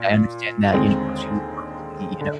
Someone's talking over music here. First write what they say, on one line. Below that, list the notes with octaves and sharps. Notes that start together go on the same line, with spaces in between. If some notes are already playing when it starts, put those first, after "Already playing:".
I understand that, you know, most people aren't really, you know,
Already playing: A#2
D#2 D3 G#3 C4
D3